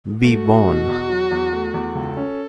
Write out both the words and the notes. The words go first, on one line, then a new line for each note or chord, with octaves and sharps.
We won!
A3 F#4
A3
B2
E2
F#3
E2
A3
E2
C#2 A4
C#4